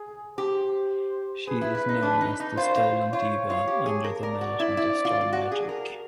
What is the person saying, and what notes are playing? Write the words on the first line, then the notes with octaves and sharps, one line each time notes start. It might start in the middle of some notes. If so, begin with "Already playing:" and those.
She is known as "The Stolen Diva", under the management of Star Magic.
Already playing: G#4
G4 C5
G#4 B4
E4
E4
D#4
D4
D#4
D#4
F4 C5
F4
F4 C#5
F4
G4
G#4
A#4
A#4 D5
F#4
E4
E4
F4
F4
F#4
G#4
A#4